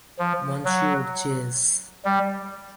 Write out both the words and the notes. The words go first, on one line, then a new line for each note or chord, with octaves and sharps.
Monsieur chasse!
F3
F#3
G3